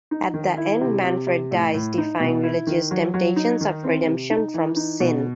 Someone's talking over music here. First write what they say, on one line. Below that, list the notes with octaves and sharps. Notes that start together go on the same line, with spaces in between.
At the end, Manfred dies, defying religious temptations of redemption from sin.
D#4
D#3
E4
C3
C3
C3
A2
A2
D#4
B2
E4
D#3
F#3
F#3
D#4
D#3
C4
C3
D#4
E3
D#4
B2